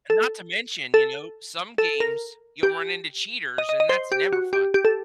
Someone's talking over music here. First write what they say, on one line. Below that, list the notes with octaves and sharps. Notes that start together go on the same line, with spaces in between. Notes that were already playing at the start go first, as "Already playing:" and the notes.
And not to mention, you know, some games, you'll run into cheaters, and that's never fun.
A4
A4
A4
A#4
G4
D#5
D#5
D#5
C5
G4
F#4
G4
G4
A4